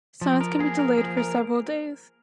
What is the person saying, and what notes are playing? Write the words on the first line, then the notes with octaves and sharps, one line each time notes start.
Signs can be delayed for several days.
F3
A#4
A#3 G#4
A#4
F3 G#4
A#4